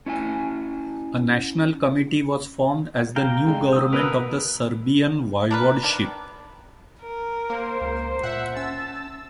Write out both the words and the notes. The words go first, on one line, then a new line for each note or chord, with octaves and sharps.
A National committee was formed as the new government of the "Serbian Voivodship".
C#4 E4 G5 G#5
G4 F5 G5 A#5
D3 G#3
D#6 E6
B2 A#4 B4
D4 A#4 B4
D#3 D4
A#4
A#3 C5
C#2
A#2 E5 F#5
C#4 A5 E6